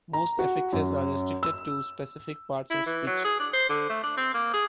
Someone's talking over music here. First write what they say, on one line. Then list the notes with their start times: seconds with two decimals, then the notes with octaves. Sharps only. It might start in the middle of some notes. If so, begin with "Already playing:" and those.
Most affixes are restricted to specific parts of speech.
0.13 A#5
0.39 F#4
0.73 F#2
1.43 E6
2.70 E4
2.86 E3
3.07 F#3
3.24 G#4
3.40 D4
3.53 C5
3.70 D3
3.89 A3
4.03 D4
4.17 C4
4.34 A#3
4.53 G#4